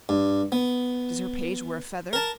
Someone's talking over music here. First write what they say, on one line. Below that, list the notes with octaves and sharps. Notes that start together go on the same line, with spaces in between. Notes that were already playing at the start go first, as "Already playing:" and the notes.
Does her page wear a feather?
G2
B3
A#4 A5